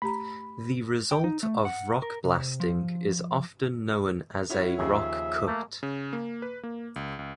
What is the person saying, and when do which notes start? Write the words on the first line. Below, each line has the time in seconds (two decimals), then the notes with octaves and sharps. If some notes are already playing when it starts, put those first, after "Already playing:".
The result of rock blasting is often known as a rock cut.
0.02 A3 G4 A#5 B5
1.11 G5
1.24 D#4
1.43 A3
1.65 F#5
2.02 A#4
2.24 C3
2.60 F3
4.49 C#4 E4 F#4
4.79 D#2 C#3 F3 G#4 E5
5.47 A3 A#3
5.83 C#3
6.13 A#3
6.42 B4
6.63 A#3
6.96 C#2
7.19 C#2